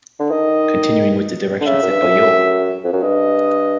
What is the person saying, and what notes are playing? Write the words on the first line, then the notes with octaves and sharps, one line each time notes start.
Continuing with the direction set by Yo!
D3
D#3 D#5
D3
C#3 E5
F#2
G2
F2
F#2
F2
F#2
G2 D#5